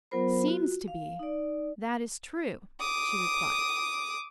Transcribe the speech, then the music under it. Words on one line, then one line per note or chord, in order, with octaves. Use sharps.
"Seems to be--that is true," she replied.
F#3 B3 F4 A#4 C5 B5
F4 F#4
F5
D#4 D5
D6 D#6